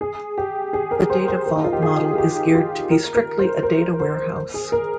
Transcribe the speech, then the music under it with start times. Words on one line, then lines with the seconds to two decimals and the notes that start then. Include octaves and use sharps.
The data vault model is geared to be strictly a data warehouse.
0.01 G#4
0.38 G4
0.73 G#4
0.91 A#4
1.10 C5
1.28 C5
1.46 A#4
1.55 D#4
1.64 F4
1.73 G4
1.82 G#4
2.18 G4
2.55 F4
2.91 A#4
3.15 A#4
3.39 C5
3.63 A#4
4.00 C5
4.54 G#4
4.72 A#4